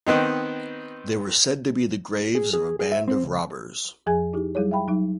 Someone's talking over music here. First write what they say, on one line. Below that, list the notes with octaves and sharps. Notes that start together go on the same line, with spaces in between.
They were said to be the graves of a band of robbers.
D#3 B3 C4 D#4
G#4
G#4
G#4
E5
C4
C#2
F2 F3 G#4 G#5 G#6
D#4 E4 G4
F#3 G3 E4 G#4 C#5
E5 F5 G5 B5
F#3 D#4